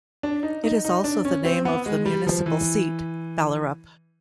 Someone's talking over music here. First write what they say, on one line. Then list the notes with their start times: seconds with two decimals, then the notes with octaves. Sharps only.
It is also the name of the municipal seat, Ballerup.
0.23 D4
0.43 D#4
0.64 D#4
0.85 D#4
1.04 D4
1.25 C#4
1.45 C4
1.65 B3
1.86 G#3
2.06 G3
2.27 F3
2.46 E3